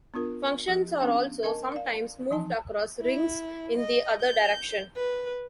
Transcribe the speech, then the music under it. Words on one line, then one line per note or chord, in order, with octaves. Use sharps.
Functions are also sometimes moved across rings in the other direction.
B3 D4 F4 A#4
F3 G4
B3 C#4 D4 F5
A#4 D#5 G#5 A5
D5 F5
E3 F3 D#4 G#5 A5
E4
D#5
G6
B4